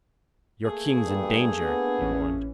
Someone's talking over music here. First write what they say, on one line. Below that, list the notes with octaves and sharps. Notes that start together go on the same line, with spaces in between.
"Your king's in danger," he warned.
A3 A#3 G#4
G2
B3 D4
A1 E3 C#4